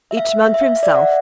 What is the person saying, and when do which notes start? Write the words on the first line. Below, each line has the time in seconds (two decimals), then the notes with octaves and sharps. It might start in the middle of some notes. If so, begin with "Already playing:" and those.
Each man for himself.
0.11 E5
0.17 F5
0.25 E5
0.32 F5
0.39 E5
0.46 F5
0.54 E5
0.61 F5
0.68 E5
0.76 F5
0.83 D5 E5
0.95 E5 F#5